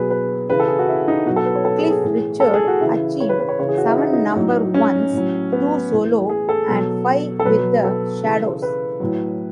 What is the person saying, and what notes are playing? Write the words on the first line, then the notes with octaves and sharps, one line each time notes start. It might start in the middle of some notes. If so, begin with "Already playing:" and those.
Cliff Richard achieved seven number ones; two solo and five with the Shadows.
Already playing: B2 F#3 G#4 B4
B4
C#3 E3 B4
A4
G#4
F#4
E4
D#4
B2 F#3 F#4
A4
B4
C#5
A4
G#4
G#4
A2 E3
A4
G#4
F#4
C#3 E3 E4
C#5
B4
B4
C#5
C#3 E3 C#5
G#4
F#4
E4
D#4
E4
D#4
A2 F#3
C#4
A2 F#3
B3
A2 E3
G#4
A4
B2 F#3
A4
B2 F#3 B4
A4
C#3 E3
B4
A2 F#3